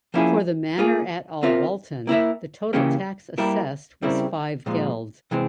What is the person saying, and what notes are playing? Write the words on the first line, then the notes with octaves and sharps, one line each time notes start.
For the manor at Alwalton the total tax assessed was five geld.
F3 A#3 C#4 E4 G#4
A#3 F4 G#4
C4 F4 A#4 E5
A#3 E4 A#4 E5
C#3 E3 A#3 C#4 G4
G3 A#3 E4 A#4
C#3 G3 C4 E4 A#4
A#2 F3 G#3
C3 E3 G#3 C4